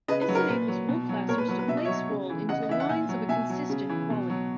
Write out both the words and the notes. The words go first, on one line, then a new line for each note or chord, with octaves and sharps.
This enables wool classers to place wool into lines of a consistent quality.
C#3 B4 D#5
B4
F#3
A#4
A#2 B4
F#3
B2
F#3
A#2 A#4 C#5
B4
F#3 B4
B4
B2 E5
D#5
F#3 C#5 E5
C#3
E3
C#3 D#5 F#5
D#5
E3 E5
F#5
A#2 E5 G#5
F#3
B2 E5 G#5
F#3
C#3
E3
B2
F#3